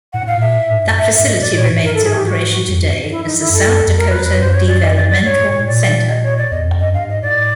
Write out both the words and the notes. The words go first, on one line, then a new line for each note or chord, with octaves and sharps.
That facility remains in operation today as the South Dakota Developmental Center.
A2 F#5
F5
A#2
E5
A2
G#2
F#2
G#2 E5
E5
G#2
D#5
A2 D5
A#2 C#5
G#2
G2 A#4
A4
G#2 G#4
G4
F#4
F2
G2
E4
D#4
E4
F2
F#2 A4
F#2
F2
A#4
E2 B4
F2 B4
F#2 C5
C#5
D5
D#5
D5
D5
G2 C#5
A2
A2
A#2 D5
D#5
C#5
D5
E2 D#5
F2
F#2 D#5
G2 F5
G#2 D#5
A2 D5